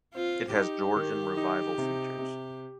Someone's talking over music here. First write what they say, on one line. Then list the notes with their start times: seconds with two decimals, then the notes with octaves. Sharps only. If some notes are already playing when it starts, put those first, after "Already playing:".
It has Georgian Revival features.
0.15 C4 F4
0.55 D#4 G4
0.96 D#3
1.37 D#4
1.78 C3
2.18 C3